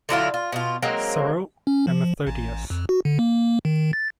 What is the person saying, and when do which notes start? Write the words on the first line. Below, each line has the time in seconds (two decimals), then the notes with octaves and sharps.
Cyril and Methodius.
0.09 D3 F#3 E4 F4
0.34 F4
0.52 B2 F4
0.83 F#3 G#3 A#3 C4
1.67 C#4
1.87 F3
2.27 A1
2.70 F2
2.89 F#4
3.05 D3
3.19 A#3
3.65 D#3
3.93 A6